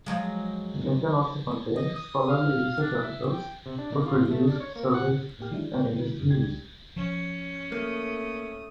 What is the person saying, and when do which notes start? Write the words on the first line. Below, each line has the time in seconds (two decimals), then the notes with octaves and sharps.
They can also contain scholarly research articles, book reviews, surveys, and industry news.
0.06 F3 F#3 G#3
1.77 D#5
1.95 D#6
2.29 F5
2.81 D4
3.03 E5
3.31 G5
3.66 C3
3.78 D4
3.92 D#3
4.06 F4
4.31 A3
4.48 D4
4.60 C#5
4.76 A#3
4.94 F#5
5.39 A2 A#3 G4 F6
5.51 D#3 E3 F#3 G#3 D4 E4
5.74 G5
5.93 C#3 E3 G#3
6.19 F#2
6.30 C#2 D4 G4 G#6
6.96 F3 C#4
7.72 A3 A#3 D#6